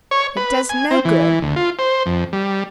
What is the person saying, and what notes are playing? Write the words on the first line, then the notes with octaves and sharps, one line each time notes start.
It does no good.
C#5
B4
G#5
C4
E3
D2
F4
C5
F2
G3